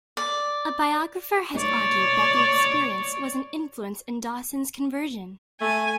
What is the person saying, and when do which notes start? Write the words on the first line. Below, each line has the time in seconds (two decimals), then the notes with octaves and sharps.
A biographer has argued that the experience was an influence in Dawson's conversion.
0.17 D5
1.56 C#5 D5
5.61 A3 G#5